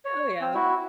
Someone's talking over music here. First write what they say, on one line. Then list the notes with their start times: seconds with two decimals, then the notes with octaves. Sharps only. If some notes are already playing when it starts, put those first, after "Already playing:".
Oh, yeah,
0.05 C#5
0.41 C4
0.55 E4 F#4